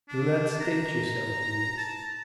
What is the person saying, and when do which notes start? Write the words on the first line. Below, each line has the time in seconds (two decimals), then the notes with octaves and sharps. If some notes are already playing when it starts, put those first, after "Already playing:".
Do not stint yourself in these.
0.09 D4
0.60 A#5
1.77 A5